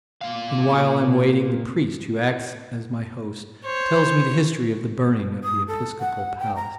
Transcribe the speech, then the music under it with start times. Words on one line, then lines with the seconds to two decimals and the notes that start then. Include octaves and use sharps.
And while I am waiting, the priest, who acts as my host, tells me the history of the burning of the episcopal palace.
0.21 A#2 F5
3.65 C5 C#5
5.43 D#6
5.68 A4
6.00 F#5
6.40 G5
6.56 A#5